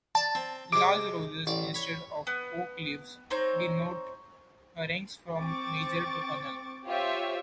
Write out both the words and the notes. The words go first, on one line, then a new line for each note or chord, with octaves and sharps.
Large roses, instead of oak leaves, denote ranks from major to colonel.
D5 A5
C4
C3 G#3 D6
A1 D5
C#5 B5
B3
C4 D#4 C5 C#5
C4 C#6 D6 A6
F4 G4 C5 C#5 E5 G5